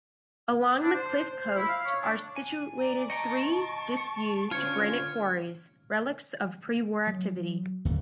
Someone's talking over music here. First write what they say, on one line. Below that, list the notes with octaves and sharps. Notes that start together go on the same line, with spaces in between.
Along the cliff coast are situated three disused granite quarries, relics of pre-war activity.
D4
C5
C5
E4
F5
C#5
D4
G#5
D5 A#5
D#5 G5 A5 A#5 C#6 C#7 D7
C#7
D3 C#4 F4 C5 C#5 F6 G#6 C#7
F#3
D1 D#2